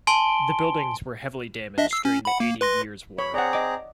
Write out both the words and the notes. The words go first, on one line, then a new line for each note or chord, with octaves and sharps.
The buildings were heavily damaged during the Eighty Years War.
G#5 A5 C6 D7 G7
D4 D#5 E5
E6 C7
C#4
F#5 B5
A#3
B4 C6 A#6
C#5 B5
C4 G#4 D5 F#5 A#5
D#5 D6